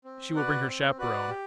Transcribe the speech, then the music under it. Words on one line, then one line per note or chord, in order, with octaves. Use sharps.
"She will bring her chaperone."
C4
F#4 B4 D5 F#5
C4
F#4 B4 D5 F#5
G4